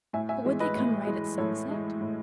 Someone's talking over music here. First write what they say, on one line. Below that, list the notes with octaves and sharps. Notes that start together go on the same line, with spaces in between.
'But would they come right at sunset?'
A2 E5 G#5
E5 G#5
E3 G#3
B4 D#5
A2
E3 G#3
A2 A4 C#5
E3 G#3
A2